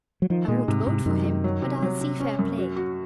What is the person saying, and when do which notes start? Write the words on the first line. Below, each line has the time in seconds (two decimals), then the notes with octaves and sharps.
I won't vote for him; but I'll see fair play.
0.22 F#3
0.30 D#3 F3
0.48 A#2 G#3
0.68 G#2 C3
0.87 G#2 C3
1.06 F#2 D#3
1.24 D#3
1.44 F#3
1.62 C3
1.82 F#3
2.01 C3
2.20 C#4
2.39 F#2
2.58 F#4
2.76 F#4